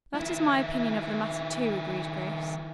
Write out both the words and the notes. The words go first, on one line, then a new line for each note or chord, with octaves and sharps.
"That is my opinion of the matter, too," agreed Grace.
D#3 E4